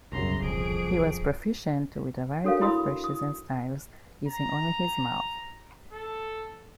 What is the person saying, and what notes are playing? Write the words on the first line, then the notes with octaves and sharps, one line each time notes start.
He was proficient with a variety of brushes and styles, using only his mouth.
E1 C2 F#2 C#3 A#5 C6
D1 F2 G#4 D7
D4 F#4 A4 A#4 C#5 F5
E4 B5 C6 D#6 E6
D#6
A#5
A4